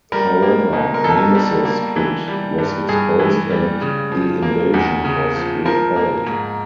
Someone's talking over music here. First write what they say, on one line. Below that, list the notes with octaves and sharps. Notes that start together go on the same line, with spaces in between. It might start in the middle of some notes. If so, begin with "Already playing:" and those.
However, Nemesis Kid was exposed and the invasion was repelled.
G3 A#4
A#3
B2
A#4
B2 A4
G3
A#3
E3
G3
G2
G2 G#4
E3
G3
C#3
F3
A#3
E2
C#3
F3
F3 A#4
A#3
G#2